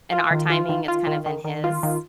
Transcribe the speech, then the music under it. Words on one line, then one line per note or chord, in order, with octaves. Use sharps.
in our timing, it's kind of in his.
F4
D#3
F4
D#3
F4
D#3
D#3
D#3
F4
D#3